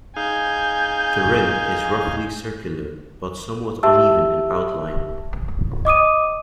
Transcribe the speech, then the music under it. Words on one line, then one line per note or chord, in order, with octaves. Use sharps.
The rim is roughly circular but somewhat uneven in outline.
D#4 G#4 F5 G#5 G6
G4 E5 A5 E6
D#5 D6 D#6 D#7